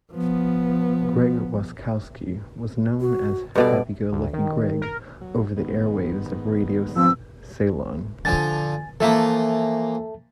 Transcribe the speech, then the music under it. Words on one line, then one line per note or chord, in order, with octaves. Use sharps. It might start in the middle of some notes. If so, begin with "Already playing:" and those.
Greg Roskowski was known as 'Happy-go-lucky-Greg' over the airwaves of Radio Ceylon.
F3 B3
F#4
G2 B2 A4 D5
D2
D#3
A#4
F#3
G#2 D#3 B3
F3 C4 E6
D3 F3 G#5 A6
E3 F3 A#3 A4 E5 A5